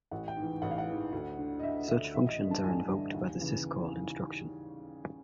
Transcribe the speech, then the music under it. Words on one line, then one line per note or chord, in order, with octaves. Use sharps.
Such functions are invoked by the syscall-instruction.
A1 F#5
G5
G#2 E3
A1 F#5
F5
F#5
G#2 E3
D2
D3
D#5
D2 E5
D3 E5
A1 E5
D#5
G2 D3
A5
A1 G#5
G2 D3
D#2
C#3 E3